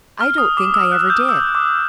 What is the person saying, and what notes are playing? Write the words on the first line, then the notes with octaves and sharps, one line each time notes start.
"I don't think I ever did."
F6
D#6
D6
E6
F#6
G6
E6
D6